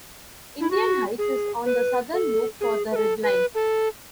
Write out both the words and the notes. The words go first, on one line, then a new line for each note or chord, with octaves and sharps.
Indian Heights is on the southern loop for the Red Line.
E4
F#4
G#4
B4
A4
G#4
B4
A4
B4
A4